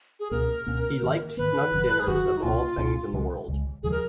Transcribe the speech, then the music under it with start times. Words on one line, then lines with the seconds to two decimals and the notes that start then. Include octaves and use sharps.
He liked snug dinners of all things in the world.
0.20 G#4
0.31 C#2 B2 A#3 C#4 A#4
0.66 C#2 B2 A#3 C#4
1.02 G#2 D#3 A#3
1.37 G#2 D#3 A#3 B4
1.72 F#1 F#2 D#3 F#3
1.99 G#4
2.07 F#1 F#2 D#3 F#3 F#4
2.37 D#4
2.43 C#2 B2 A#3 C#4 F4
2.77 C#2 B2 A#3 C#4
3.13 C#2 C#3 F3 G#3
3.48 C#2 C#3 F3
3.53 G#3
3.83 D#2 C#3 F3 G#3 G#4
3.91 A#4